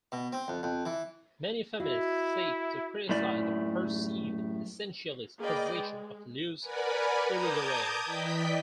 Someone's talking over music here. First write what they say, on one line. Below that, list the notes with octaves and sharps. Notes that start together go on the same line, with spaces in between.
Many feminists seek to criticize the perceived essentialist positions of Luce Irigaray.
B2
C4
F2
F2
E3
E4 F#4 D#5 F5
F#2 A2 E4 D5
A#3 G#4 B4 D5 D#5 G5
G#3
A#4 B4 D5 F#5 G#5 B5
A5 A#5 D6 D#6 G6 G#6
E3 D5 D#5 G5 G6 B6